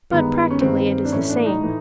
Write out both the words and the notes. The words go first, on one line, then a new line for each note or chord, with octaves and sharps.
But practically it is the same.
G2 D#3 G#3 B3
C#4
G2 D#3 G#3 C4
D4
A2 E3 A3 C#4
D4
D#4
A2 E3 A3